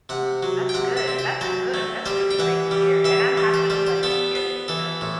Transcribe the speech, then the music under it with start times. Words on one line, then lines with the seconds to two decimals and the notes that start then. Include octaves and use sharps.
Mm, that's good, that's good, that's really great to hear, and I'm happy, like, to hear that, you know, you
0.09 C3 F#5
0.43 F#3
0.69 G5
0.74 C3 F#5
0.97 E5
1.08 C4
1.19 C5
1.41 F#3 C5
1.74 A3
2.06 G3 C5
2.31 G5
2.39 E3 F#5
2.71 G3
3.05 E3 E5
3.38 G3
3.54 C5
3.70 G3 C5
3.87 C5
4.03 B3 A4
4.35 B3
4.68 E3 A4
5.01 A2